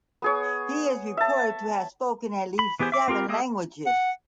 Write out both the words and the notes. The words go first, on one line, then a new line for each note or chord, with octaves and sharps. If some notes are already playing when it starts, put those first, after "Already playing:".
He is reported to have spoken "at least seven languages".
B3 G#4 C#5
E5 A5
B5
E3 B3 G4 G#4 C5
E5 D6
C4 F4 G4 A#4
G#3 A#3 G4 D#5 E5
F#5